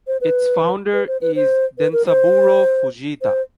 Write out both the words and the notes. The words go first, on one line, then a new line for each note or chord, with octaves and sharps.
Its founder is Densaburo Fujita.
C5
B4
B4
C5
B4
C5
B4
A#4
C5
C5